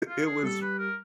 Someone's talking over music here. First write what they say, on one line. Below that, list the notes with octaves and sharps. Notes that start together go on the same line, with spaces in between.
it was
F4
G#4
G3 A4
B4
A#4